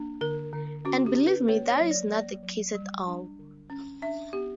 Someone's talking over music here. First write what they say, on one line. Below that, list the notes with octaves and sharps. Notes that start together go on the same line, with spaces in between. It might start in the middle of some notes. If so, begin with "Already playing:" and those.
And believe me that is not the case at all.
Already playing: A#3 D4
D3 A#4
D3
C#4 F#4
G4
C#4
B4
A#3 C#5
C#5
F#3
D5
A#3 D5
F#3
G3
D4
D3
C#4
D4 E5
B3 G4